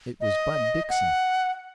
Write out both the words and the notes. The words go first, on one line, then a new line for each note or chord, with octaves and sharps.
It was Bud Dixon.
D#5
F#5